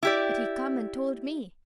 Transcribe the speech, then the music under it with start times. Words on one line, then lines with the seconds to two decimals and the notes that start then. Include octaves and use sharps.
But he come and told me.
0.03 E4 G4 D5